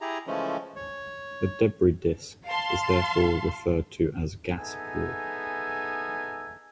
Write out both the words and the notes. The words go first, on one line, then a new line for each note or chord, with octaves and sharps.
The debris disk is therefore referred to as "gas-poor".
E4 G4 G#4 A#5
C#3 E3 F3 G#3 A3 C#4
C#5
F5 A5 C6
B3 D#4 G#4 A4 E5 G#5